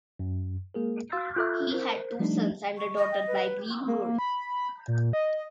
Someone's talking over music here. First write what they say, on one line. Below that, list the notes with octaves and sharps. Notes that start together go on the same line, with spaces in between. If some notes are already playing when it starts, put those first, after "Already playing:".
He had two sons and a daughter by Greenwood.
F#2
G#3 A#3 G#4 A#4
F#4 F5 C6 E6 A6
F4 A4 E5
A#4 C5
F3 G3 A3 D4 D#4
C#6
D#5
G5
B4
A#3
B5
A#2
D#5